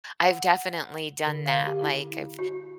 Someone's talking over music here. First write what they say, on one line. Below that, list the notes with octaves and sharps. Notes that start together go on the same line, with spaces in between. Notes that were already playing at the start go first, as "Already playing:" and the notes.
I've definitely done that, like, I've
F#5
D3
F5
G4
E4
F#4